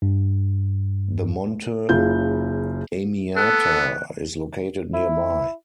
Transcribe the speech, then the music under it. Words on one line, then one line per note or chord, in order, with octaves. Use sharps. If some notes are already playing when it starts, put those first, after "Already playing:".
The Monte Amiata is located nearby.
G2
F#1 C#3 F4 G6
B3 A4 F#6
E4